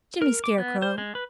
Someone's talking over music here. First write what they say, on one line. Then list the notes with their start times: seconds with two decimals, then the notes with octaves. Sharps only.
"Jimmy Scarecrow!"
0.22 A#4
0.44 D6
0.58 B3
0.82 C5
0.98 G#3
1.15 B4